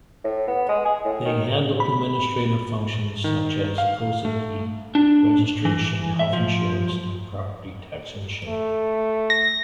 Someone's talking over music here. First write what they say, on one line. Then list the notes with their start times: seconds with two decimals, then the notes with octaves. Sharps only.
They handle administrative functions such as "koseki" registration, health insurance, and property taxation.
0.24 A2
0.48 B3
0.69 G#3
0.85 G#4
1.05 A2
1.25 D#3
1.80 B5
3.24 D#3
3.78 F5
4.25 A3
4.95 D4
5.65 E3
6.19 E5
6.33 F3
8.48 A3
9.30 A#6